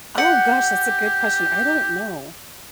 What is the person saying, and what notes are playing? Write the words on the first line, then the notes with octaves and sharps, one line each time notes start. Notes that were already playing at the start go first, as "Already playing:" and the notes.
Oh, gosh, that's a good question, I don't know.
G4 F#5